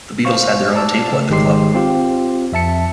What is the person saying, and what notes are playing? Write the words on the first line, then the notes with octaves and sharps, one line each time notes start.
The Beatles had their own table at the club.
C5 F5 C#6
D5 A5 E6
C#3 A3
G#1 D#3 G#3 G4 C6 C7
C4 F4 G4
F2 E5 A5 C#7